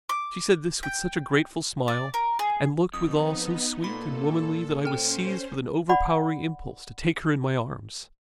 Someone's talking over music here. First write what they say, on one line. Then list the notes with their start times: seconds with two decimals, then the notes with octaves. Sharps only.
She said this with such a grateful smile, and looked withal so sweet and womanly that I was seized with an overpowering impulse to take her in my arms.
0.09 D6
0.83 G5
1.88 D5
2.14 A#4
2.39 G#4
2.94 F2 B3 D#4 D#6
3.84 A#2 A4 B5
4.85 C#4 A4 C5 G5
5.89 D5 F#5 B5